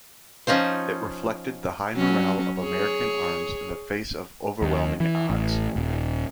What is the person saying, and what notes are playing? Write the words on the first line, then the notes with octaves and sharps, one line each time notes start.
It reflected the high morale of American arms in the face of overwhelming odds.
F3 C#4 D#4 F4 C5
F#3 C#4
G#4 C#5
D#2
E3
A1
D#1